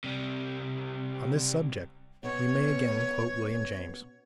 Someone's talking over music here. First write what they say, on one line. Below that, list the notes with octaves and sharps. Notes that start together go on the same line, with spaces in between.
On this subject we may again quote William James.
C3 G3
B2 B3 C#4 C#5